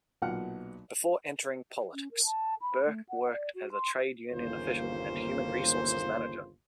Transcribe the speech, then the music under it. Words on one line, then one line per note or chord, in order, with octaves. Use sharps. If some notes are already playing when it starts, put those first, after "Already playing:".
Before entering politics, Burke worked as a trade union official and human resources manager.
B1 A#2 F#4 F#5 F6
C#4
A#4
A5
B5
A3
F#5
D5
F#4
C6
G1 D#2 C#3 A#3 F4 C5